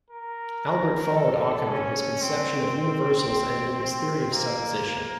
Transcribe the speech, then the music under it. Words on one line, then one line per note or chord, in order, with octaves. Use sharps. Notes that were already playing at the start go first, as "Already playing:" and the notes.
Albert followed Ockham in his conception of universals and in his theory of supposition.
A#4
A4
C#4
C4
C4
C4
A#3
A#3